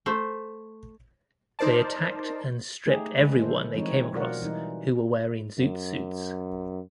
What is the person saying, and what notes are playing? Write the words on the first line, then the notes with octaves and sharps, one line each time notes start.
They attacked and stripped everyone they came across who were wearing zoot suits.
A3 C5
D#4 A#4 C5 D5 A5
A3 D#4 G4 G#4
D#3 G#3 B4
D3 E4 A4 C5
E3 F3 G#3 C4 D#4 C#5
B2 F#3 F4 A#4 D5 F#5
E3 G3 D#4
F#2